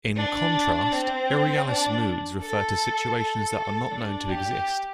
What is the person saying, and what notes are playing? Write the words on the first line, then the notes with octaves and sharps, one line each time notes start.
In contrast, irrealis moods refer to situations that are not known to exist.
D4
C4
D4
A4
A4
D4
G4